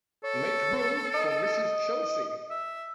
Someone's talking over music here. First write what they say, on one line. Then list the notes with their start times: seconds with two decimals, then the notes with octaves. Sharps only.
Make room for Mrs. Chelsea.
0.24 A4 C#5
1.14 D#5
2.50 E5